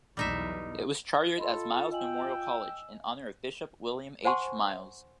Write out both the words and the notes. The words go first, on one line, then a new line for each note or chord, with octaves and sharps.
It was chartered as Miles Memorial College, in honor of Bishop William H. Miles.
B1 E2 G3 D#4 E5
F4 A4 D#5 B5 C6
D#5 G5 G#5 E6 F#7
C5 F#5 G#5 A5 C6 C#6